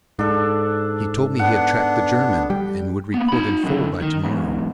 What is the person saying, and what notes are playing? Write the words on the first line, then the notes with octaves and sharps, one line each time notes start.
He told me he had tracked the German and would report in full by to-morrow.
G#2 D4 A4
B3 D4 F#5
G3 G5
A#3 B3
D#4 B5
F#2 D3
D#3
E2 G#2